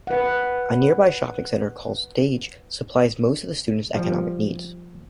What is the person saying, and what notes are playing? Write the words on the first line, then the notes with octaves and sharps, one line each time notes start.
A nearby shopping centre called "Stage" supplies most of the students' economic needs.
B4 F#5
F3 G3